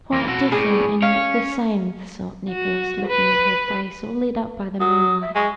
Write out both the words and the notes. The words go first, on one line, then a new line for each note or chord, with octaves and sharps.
"Quite different and yet the same," thought Nicholas, looking at her face all lit up by the moonlight.
F2 E3 A#3
B2 F#4 A4
A2 G#4 B4 D5
C#4 C#5 F5
F#4
B4
F#3 D#6
E5
G#3 C#6